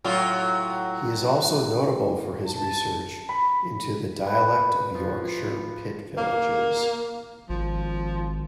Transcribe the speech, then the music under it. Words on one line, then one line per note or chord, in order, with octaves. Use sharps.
He is also notable for his research into the dialect of Yorkshire pit villages.
A2 F#3 F4
A5
B5
B4
F3
A#3
G#1 F3